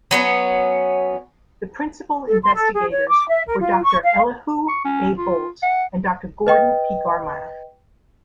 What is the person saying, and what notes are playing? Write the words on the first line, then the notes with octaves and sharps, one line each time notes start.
The Principal Investigators were Doctor Elihu A. Boldt and Doctor Gordon P. Garmire.
F#3 B3 C#4
A4
C6
A4
G#4
C#5
D6
E5
A#4
F4
C#6
F5
C#6
C#4
F4
F#5
B4 D#5 G5